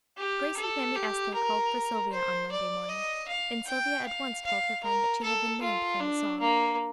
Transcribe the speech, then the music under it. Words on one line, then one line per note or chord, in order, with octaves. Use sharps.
Grace and Mammy Esther called for Sylvia on Monday morning, and Sylvia at once told her friend that she had been named from the song.
G4
A4
G4
A#4
C5
D5
D#5
F5
G5
F5
F5
A#4
A4
F4
D4
A#3